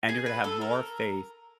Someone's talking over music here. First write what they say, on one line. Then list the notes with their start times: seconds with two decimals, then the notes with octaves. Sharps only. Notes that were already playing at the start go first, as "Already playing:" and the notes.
and you're gonna have more faith
0.09 G#4
0.26 B4
0.44 A4
0.61 A#4